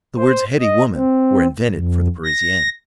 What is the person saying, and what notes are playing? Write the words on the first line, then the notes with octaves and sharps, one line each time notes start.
The words heady woman were invented for the Parisienne.
C5
D#5
C4
F2
A#6